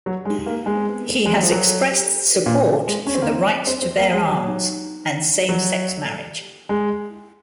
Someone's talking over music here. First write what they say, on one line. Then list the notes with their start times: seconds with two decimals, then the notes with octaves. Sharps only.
He has expressed support for the right to bear arms and same-sex marriage.
0.06 F#3
0.25 G#3
0.46 A#3
0.66 G#3
1.26 G#3
1.35 F#3
1.43 F3
1.51 F#3
2.46 A#2
2.67 C#3
2.88 G#3
3.07 C#4
3.15 C4
3.22 A#3
3.29 C4
3.67 C4
3.82 C4
3.97 A#3
4.13 G#3
4.28 F#3
5.49 F#3
6.69 G#3